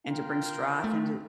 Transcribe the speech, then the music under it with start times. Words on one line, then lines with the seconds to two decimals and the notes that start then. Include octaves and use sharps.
and to bring strife into
0.11 F4 A#4 G5
0.84 A3